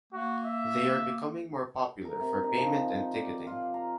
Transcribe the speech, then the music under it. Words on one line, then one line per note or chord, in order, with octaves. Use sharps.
They are becoming more popular for payment and ticketing.
A#3 F#4
E5
A#4
C3
D#4
F3
G5
D5
F4
A#5